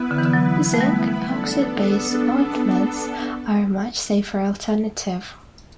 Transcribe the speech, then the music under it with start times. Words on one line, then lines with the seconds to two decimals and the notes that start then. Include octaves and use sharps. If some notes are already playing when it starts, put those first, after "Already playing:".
Zinc oxide-based ointments are a much safer alternative.
Already playing: B3 E4 B4
0.11 D3
0.18 E3
0.25 D3
0.33 F#3
0.74 A3
0.81 G3
1.27 B3 D4 A4